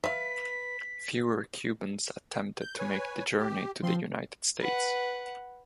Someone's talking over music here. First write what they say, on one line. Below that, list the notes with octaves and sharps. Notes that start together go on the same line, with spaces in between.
Fewer Cubans attempted to make the journey to the United States.
B4 E5 F5 B6
G6
B4 C#5 G#5
G4
F3 C4 C6
B4 F#5